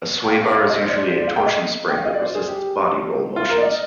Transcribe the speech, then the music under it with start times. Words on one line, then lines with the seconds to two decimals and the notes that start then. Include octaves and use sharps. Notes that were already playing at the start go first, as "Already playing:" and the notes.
A sway bar is usually a torsion spring that resists body roll motions.
0.24 G5
0.31 F5
0.51 F5
0.70 D#5
0.81 C5
0.89 D5
1.08 C5
1.18 D5
1.28 F5
1.36 G5
1.46 D#5
1.89 G5
1.98 F5
2.05 D#5
2.14 D5
2.22 C5
2.35 G#4
2.48 G4
3.36 F4
3.49 A#4
3.58 D5
3.62 D#5